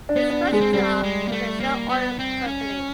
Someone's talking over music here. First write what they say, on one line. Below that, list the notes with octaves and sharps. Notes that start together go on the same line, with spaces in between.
His first job was at Shell Oil Company.
D4
B3
D4
C4
G#3 B3
C4
G3 C4
G#3
A#3
A3
A#3
B3
C4
C#4